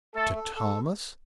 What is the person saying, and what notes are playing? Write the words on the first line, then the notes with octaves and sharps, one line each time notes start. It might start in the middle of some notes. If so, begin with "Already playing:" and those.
To Thomas!
A3 A4
A4
A4